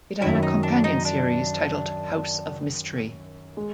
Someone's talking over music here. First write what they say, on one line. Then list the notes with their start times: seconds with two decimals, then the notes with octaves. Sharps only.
It had a companion series titled "House of Mystery".
0.21 F#2 D#3 F#3 E4
0.43 D#4
0.63 D4
0.84 D#4
1.05 D4
3.57 G#3